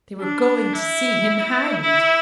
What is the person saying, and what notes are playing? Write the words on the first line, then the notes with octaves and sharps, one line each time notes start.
They were going to see him hanged.
D4
E4
E4